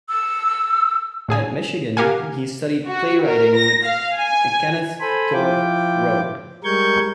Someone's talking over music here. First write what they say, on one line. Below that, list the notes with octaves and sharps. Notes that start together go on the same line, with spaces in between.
At Michigan, he studied play-writing with Kenneth Thorpe Rowe.
E6
A2 G#4 G#5
G4 A#4 F5 F#5 G#5
F#4
A#4
A#6
F5
G#5
A4 C5 G#5 B5
F3 E4 F4 G5 D6
G3 G#3 A#4 C#6 G6 G#6